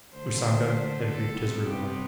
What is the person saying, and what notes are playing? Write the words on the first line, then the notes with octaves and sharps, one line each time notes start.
Usanga had reaped his reward.
D3 A3 C5
A4
C3 G3 B3
G4